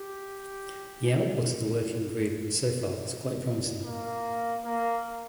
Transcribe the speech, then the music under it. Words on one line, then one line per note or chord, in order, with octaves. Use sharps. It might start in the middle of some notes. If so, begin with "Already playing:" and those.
The output of the working group so far is quite promising.
Already playing: G4
A#3
A#3